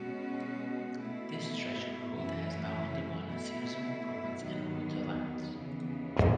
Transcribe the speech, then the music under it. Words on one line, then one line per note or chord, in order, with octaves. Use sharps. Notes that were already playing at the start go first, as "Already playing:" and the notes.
This stretch of road has now undergone a series of improvements and route alignments.
Already playing: B2 G#3 C#4 F#4
B2 A3 E4
F#2 E3 A3 C#4 E4
B2 A3 E4
D#2 D#3 F#3 B3
D#2 C#3 E3 B3